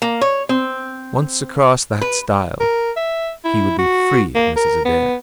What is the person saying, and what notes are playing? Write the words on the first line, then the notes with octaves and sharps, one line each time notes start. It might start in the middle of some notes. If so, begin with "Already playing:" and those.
Once across that stile, he would be free of Mrs. Adair.
A#3
C#5
C4
B4
A#4
E5
E4
F#4
A#3
A#4
B3